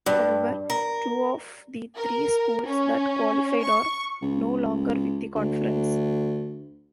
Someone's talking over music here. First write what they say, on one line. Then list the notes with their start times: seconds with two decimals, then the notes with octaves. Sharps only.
However, two of the three schools that qualified are no longer with the conference.
0.06 G2
0.70 A#4
1.97 A#4
2.67 C#4
3.63 C#6
4.22 C#2
5.35 D2